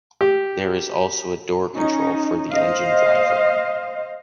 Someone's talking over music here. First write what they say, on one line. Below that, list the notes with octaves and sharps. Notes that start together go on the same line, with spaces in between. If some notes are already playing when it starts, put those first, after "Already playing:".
There is also a door control for the engine driver.
G4
C#4 D#4
C5 D#5 F5